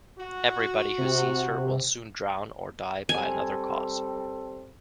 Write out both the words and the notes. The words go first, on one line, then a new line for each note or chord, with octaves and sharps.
Everybody who sees her will soon drown or die by another cause.
F#4
C3
G3 C4 A4 G#5